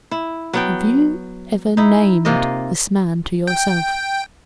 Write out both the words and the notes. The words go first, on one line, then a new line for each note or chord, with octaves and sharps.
"Have you ever named this man to yourself?"
E4
F#3 B3 G5
D#4 E4
C3 A#3 F4 D#5
G5